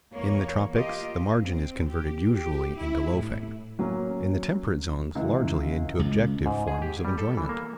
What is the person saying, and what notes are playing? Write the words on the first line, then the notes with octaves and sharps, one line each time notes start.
In the tropics the margin is converted usually into loafing, in the temperate zones largely into objective forms of enjoyment.
E2 A#3 C#5
A#3 F4 G4 D#5
C4
G4
G4
E4
A2
F#3 A#3 C#4
C#2 E3
C#2
G#2
G#4
G4
G3
A4
E3
A#3